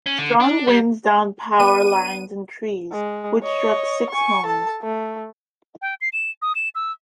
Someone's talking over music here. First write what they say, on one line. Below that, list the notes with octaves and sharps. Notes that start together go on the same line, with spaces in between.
Strong winds downed power lines and trees, which struck six homes.
C#4
D3
D4
G3
B3 D4 D#7
G#3
C#5 D#5
G#5 C#6
A4 A5
A3
G5
C7
E7
D#6
E7
E6